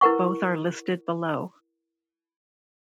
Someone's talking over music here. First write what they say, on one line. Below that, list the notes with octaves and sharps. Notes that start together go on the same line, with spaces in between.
Both are listed below.
E4 A#4 B4 F#5 C#6